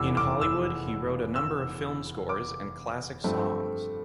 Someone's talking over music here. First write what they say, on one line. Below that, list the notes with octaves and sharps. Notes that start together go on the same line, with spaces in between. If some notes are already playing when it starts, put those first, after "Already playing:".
In Hollywood he wrote a number of film scores and classic songs.
Already playing: F1 E2 E3 D6 E6
D6
E6
E6
D6
G2 F3 A3 C4